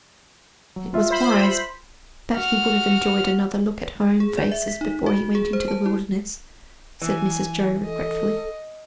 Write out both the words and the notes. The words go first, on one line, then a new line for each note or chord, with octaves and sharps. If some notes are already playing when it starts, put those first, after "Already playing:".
It was wise; but he would have enjoyed another look at home faces before he went into the wilderness,' said Mrs Jo regretfully.
F#3
F4 E5
C5 B5
F#4 F6
G#4
D5
E5
B6
D#4
F#4
G#4
C5
A5
E4
E3 G#5
A4 D#5